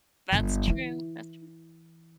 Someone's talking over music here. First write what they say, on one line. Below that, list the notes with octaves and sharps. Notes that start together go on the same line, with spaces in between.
That's true. That's true.
G1 D3
E3 E4